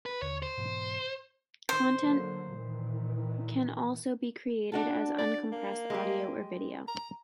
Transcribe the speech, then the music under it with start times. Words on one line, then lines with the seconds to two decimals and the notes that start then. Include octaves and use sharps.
Content can also be created as uncompressed audio or video.
0.06 B4
0.22 D#2 D3 C#5
0.43 C5
0.57 G#2 B2 E3
1.69 D#3 C5
2.00 D3 F#3 A#3
2.52 A#2 D#3 E3
4.72 D4 F#4 A4
5.18 D5
5.52 A#3
5.90 G#3 G4
6.88 A#5